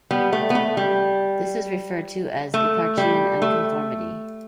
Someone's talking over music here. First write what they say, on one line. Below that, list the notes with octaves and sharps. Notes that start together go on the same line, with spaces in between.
This is referred to as Eparchaean Unconformity.
G3 B3
A3
B3
A3
G3
A3
G3
A3